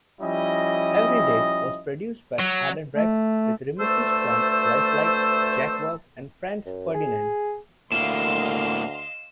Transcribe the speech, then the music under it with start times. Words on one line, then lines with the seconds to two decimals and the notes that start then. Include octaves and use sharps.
"Everyday" was produced by Alan Braxe with remixes from LifeLike, Jakwob, and Franz Ferdinand.
0.21 F3 G3 C#4 E4 D#5
2.39 F#3
2.95 A3
3.80 D2 A3 B4 C5 A5 E6
6.66 F#2
6.94 G#4
7.92 D2 A2 A#3 D#5 F5 C6 E7